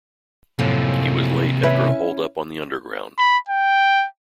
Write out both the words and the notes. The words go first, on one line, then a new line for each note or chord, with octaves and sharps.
He was late after a holdup on the Underground.
F#2 A2 C3 F3 A#3
C#4 E4 B4
B5
G5